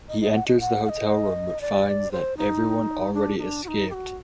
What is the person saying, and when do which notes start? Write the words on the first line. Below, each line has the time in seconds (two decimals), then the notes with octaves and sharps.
He enters the hotel room but finds that everyone already escaped.
0.09 D#5
0.21 D#5
0.34 F#5
0.47 D#5
0.60 F#5
0.85 F#5
0.89 D#5
1.61 D5
2.12 C5
2.37 D#4
3.14 D4
3.39 D#4
3.42 D4
3.64 F#4
3.68 D#4
3.90 G4
3.94 F#4